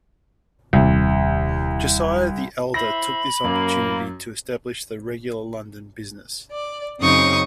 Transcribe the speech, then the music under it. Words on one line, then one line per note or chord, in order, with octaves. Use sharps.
Josiah the elder took this opportunity to establish the regular London business.
D#1 C2 C3
E4 C5 E5 B5 A#6
F#2 A#3
D5
F#2 C#3 C4 D#4 C#6 D#6